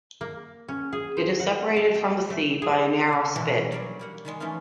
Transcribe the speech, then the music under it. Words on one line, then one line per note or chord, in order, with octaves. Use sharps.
It is separated from the sea by a narrow spit.
A#3
C#4
G#4
C5
F#5
A5
G5
A3
G#4
C#3 F#4
B2 E3 G#3 D4 F#4
F#3 G3 A#4 C#5 D5
G3 A#3 F#5
D#3 G3 G#3
E3 F3 A3 C#4 D#4 F4